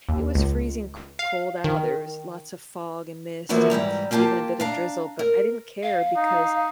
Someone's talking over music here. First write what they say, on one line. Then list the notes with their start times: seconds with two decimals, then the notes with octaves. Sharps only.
it was freezing cold out, there was lots of fog and mist and even a bit of drizzle, but I didn't care because
0.09 D#2
0.35 C#2
1.19 F5
1.64 D#3
3.49 E3 F3 A#3 B3 E4 F#4
3.70 G#2 E3 G3 A#5
4.11 A#3 F4 G4 G#5 A5
4.60 D4 F5 A#5
5.19 A#4
5.83 F5
6.16 D#4